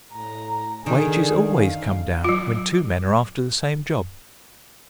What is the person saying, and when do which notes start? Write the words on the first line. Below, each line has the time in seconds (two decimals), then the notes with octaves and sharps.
Wages always come down when two men are after the same job.
0.13 A2 A#5
0.86 D3 D#3 D4 G#4
1.51 F5
2.24 F#3 F4